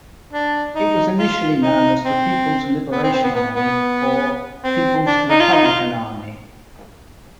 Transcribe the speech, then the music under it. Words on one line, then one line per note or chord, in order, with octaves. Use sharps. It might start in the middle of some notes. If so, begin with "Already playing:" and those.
It was initially known as the "People's Liberation Army" or "People's Republican Army".
D4
D#4
F4
D#4
C4
B3
C4
C4
B3
B3
B3
C4
D4
D#4
F4
D#4
F4